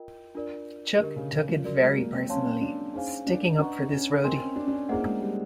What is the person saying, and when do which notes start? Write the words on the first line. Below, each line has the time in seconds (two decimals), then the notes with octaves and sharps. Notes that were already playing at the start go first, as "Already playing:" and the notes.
Chuck took it very personally, sticking up for this roadie.
Already playing: F4 A#4 D#5 G5
0.35 D4 F4 A#4 D5
0.99 D3 G4 A#4 D#5
1.16 C#3
1.32 C#3
1.49 F3
1.64 F#3 F#4 A#4 D5
1.81 G#3
1.97 A#3
2.13 C4
2.29 C#4 C#5 F5 A5 C6
2.61 D4
2.94 C#4 D#4 G#4 C5 F5 G#5
3.27 D4
3.59 D4 B4 D#5 F#5 A#5 C#6
3.91 C#4
4.24 C4 A#4 D#5 G#5 C6
4.40 C#4
4.56 D4
4.68 D4
4.72 C#4
4.89 A#3 E4 G#4 C5 D#5 F#5
5.05 G#3
5.21 G3